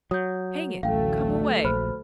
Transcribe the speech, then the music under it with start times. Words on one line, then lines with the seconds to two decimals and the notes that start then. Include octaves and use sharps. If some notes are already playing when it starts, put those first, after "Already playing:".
Hang it, come away.
0.11 F#3 D#6 G6
0.83 A1 D2 F#3 A3 F5 G5
1.64 A#1 C5 B5 F6